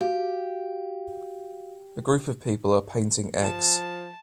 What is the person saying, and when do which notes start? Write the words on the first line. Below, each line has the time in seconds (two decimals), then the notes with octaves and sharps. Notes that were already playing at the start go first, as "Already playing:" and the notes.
A group of people are painting eggs.
0.01 F#4 G4 F5
3.41 F3 A5